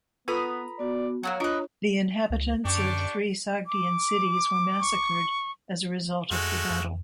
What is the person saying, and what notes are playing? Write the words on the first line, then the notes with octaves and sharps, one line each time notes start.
The inhabitants of three Sogdian cities were massacred as a result of the battle.
B3 F4 A4 B4 A#5 B5 D#6
B3 F#4 D5
F#3 A#3 E4 F#4 C#5
D4 F4 A#4 B4 D#5
C#2
F#2 D4 G4 C#6
D6
C#6
F2 G#3 A3 F#4
F2